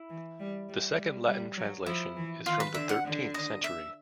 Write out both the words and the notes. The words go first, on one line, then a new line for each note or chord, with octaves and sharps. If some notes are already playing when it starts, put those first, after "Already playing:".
The second Latin translation is from the thirteenth century.
Already playing: E4
E3
G3
G3
G3
G3
F#3
F3 E4
E3
D#3 F4
B4
D3 E5
F#5
D3
D#5
E5